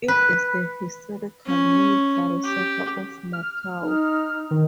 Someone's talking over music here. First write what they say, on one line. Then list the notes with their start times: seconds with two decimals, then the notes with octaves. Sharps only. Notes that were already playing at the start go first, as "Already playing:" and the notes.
It is the historical military centre of Macau.
0.08 B4
1.46 C#4
2.44 G4
3.33 F6
3.83 D#4
4.51 D#3